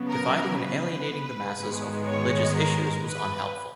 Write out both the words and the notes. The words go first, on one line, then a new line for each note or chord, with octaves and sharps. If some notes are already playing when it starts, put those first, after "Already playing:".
Dividing and alienating the masses over religious issues was unhelpful.
Already playing: C#3 F#3 B3
A#4
B4
G#2 D#3 G#3 B3
C#5
A#4
B4